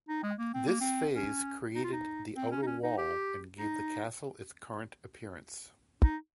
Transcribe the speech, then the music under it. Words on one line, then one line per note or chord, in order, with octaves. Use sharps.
This phase created the outer wall and gave the castle its current appearance.
D#4
G#3
A#3
C4
A#3
C4
C#4
D#4
F4
D#4
C4
C#4
D#4
C#4
D#4
G4
D#4
D#4